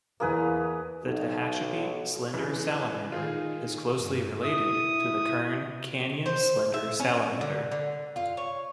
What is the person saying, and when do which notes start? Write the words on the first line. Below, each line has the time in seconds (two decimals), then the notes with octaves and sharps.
The Tehachapi slender salamander is closely related to the Kern Canyon slender salamander.
0.20 E2 E3 A#3 G#4 B4
1.04 B1
2.34 F#2 C#3 E3
3.12 D#3 F4 G#4
3.95 G2
4.44 E4 D#6
6.26 C5
6.74 E5
7.00 C#4
7.41 D3
7.72 D3
8.16 F4
8.37 C#5